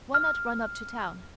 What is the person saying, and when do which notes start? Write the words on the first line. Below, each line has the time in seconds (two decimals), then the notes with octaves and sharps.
Why not run up to town?
0.14 F6